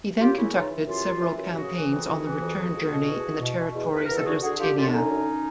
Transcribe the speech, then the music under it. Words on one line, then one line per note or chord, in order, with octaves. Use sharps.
He then conducted several campaigns on the return journey in the territories of Lusitania.
F#2 F4 G4
C#3 E4 F#4
E3 D#4 F4
E3
F#2 F4 G4
F#2
E3
F#2
G4
C#3 F#4 G#4
E3
F2
E3
E3
F2
F2
F2
B2
E2
E2
B2
B2
E2
E2 B4
E2 A#4
A4
D3 F#4 G#4
D3 F#4 G#4
D3 F4 G4
F#2 F4 G4
D4
D3 C#4 D#4
F#2